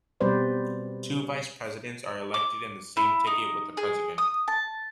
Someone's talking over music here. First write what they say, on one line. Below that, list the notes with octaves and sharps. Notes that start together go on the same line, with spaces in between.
Two Vice Presidents are elected in the same ticket with the President.
B2 G3 C4 B4 C5 D5
D6
E4
D#4
G#4
D#6
A5